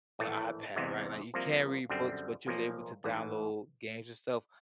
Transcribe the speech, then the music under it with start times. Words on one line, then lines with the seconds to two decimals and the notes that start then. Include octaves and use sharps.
a iPad, right, like, you can't read books, but you was able to download games and stuff,
0.19 A#1 A2 E3 A3
0.75 E2 C3 E3 G#3
1.34 C2 C3 F3 A#3
1.89 F#2 D3 G3 C4
2.47 B1 A#2 F3 A#3
3.04 A1 G#2 E3